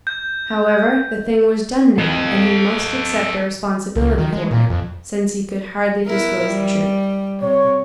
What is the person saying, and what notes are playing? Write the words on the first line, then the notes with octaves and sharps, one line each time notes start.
However, the thing was done now, and he must accept the responsibility for it, since he could hardly disclose the truth.
G6
A4 D#5
C#2
D#3
G#3
A#2
F2
B3 E4 A#4
G3
C3 C#5